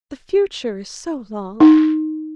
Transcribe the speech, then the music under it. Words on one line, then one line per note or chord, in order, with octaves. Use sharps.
The future is so long.
D#4